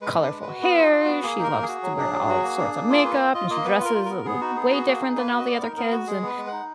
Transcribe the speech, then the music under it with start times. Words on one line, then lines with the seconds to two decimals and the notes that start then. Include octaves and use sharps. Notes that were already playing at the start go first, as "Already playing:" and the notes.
colorful hair, she loves to wear all sorts of makeup, and she dresses a l way different than all the other kids, and,
0.02 G#3 B4
0.17 D4
0.22 B4
0.31 G#3
0.42 F#4 B4
0.62 B3 B4
0.77 F4
0.82 G#4
0.92 F4
1.03 B3 F#4
1.23 A#3 G#4
1.38 D#4 A#4
1.53 A#3
1.63 G#4
1.69 F#4
1.83 F#3
1.99 D4
2.14 F#3
2.29 F#4
2.43 A#3
2.59 D4
2.74 A#3
2.90 F4 D5
3.04 A#3 B4
3.20 F4
3.34 F4 D#5
3.50 A#3 D#5
3.65 B3 B4
3.80 F4 A#4
3.95 F4
4.05 B3 A#4
4.25 B3 G#4
4.41 D#4 F#4
4.56 B3 G#4
4.70 F#4 G#4
4.87 A#3 G#4
5.02 D#4
5.16 A#3 B4
5.32 F#4
5.39 D#5
5.47 B3 D5
5.62 D#4 A#4
5.77 B3 A#4
5.92 F#4
6.07 G#3 G#4
6.22 B3 B4
6.38 G#3
6.48 F#5
6.53 D#4